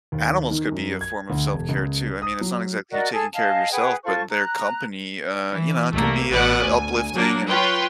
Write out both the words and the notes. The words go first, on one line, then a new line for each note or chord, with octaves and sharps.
Animals could be a form of self-care too. I mean, it's not exactly you taking care of yourself, but their company, uh, you know, it can be, uh, uplifting and
D#2
D#3
F#2
G#6
D2
E1
C#2
D#6
F#3
F#4 A#4 D5 D#5
G#4 A4 A5
D#5 F5 G#5 A5
G#4 B4 F#5 G5
F4 A4 C5 C#6
A#5 F#6
E3
C2 A3 A#3
A1 B3 F#4 D5 F#5 F#6
D2 G#5
F#3 A#3 D4
F4 B4 C#5 G5 C6